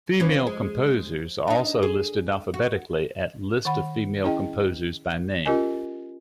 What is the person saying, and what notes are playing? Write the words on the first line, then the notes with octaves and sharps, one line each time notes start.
Female composers are also listed alphabetically at List of female composers by name.
E3 F3 C#4
G#3
D4 D#4
G#4
F#4
D#3 F#5 B5
C#4 E4 G#4 D#5 G5
C#4 F4 G4 A#4 D#5 G#5